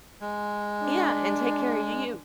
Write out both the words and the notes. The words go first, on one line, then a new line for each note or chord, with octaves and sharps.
Yeah, and take care of you.
G#3
D4